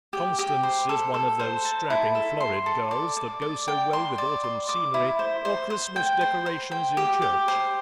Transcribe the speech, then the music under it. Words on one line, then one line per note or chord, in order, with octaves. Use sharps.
Constance is one of those strapping florid girls that go so well with autumn scenery or Christmas decorations in church.
G4
G4
C5
A4
A4
C5
A5
E4
A4
C6
A4
D5
D5
D5
G5
C6
D5
C6
D6
E4
C5
C5
C5
G5
C5
C5
G5
G4
G4
C5